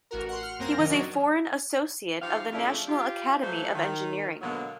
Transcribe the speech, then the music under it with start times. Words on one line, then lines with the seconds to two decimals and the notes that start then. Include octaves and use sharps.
He was a Foreign Associate of the National Academy of Engineering.
0.11 A1 F#4 A#4
0.29 F#5 C6
0.42 F6
0.59 F#2 A#3 C4 A#4 A#6
0.77 C3 D#3 D#5 F6
0.90 F#3 C#4 D4 F#4
2.22 F3 D#4 G4 F5
2.52 C#3 F3 A3 D4 E4 F4
2.87 F4 G4
3.42 F#3 A3 A#3 F4 C5
3.74 D#3
4.41 B2 D3 F#3 G#3 A#3 B3